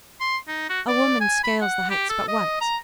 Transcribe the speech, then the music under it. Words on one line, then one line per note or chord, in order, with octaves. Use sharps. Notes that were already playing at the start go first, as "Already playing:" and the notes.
A woman scales the heights but once.
C6
D#4
F#4
D5
G#5
B5
F#5
G4
A4
D#5
A#5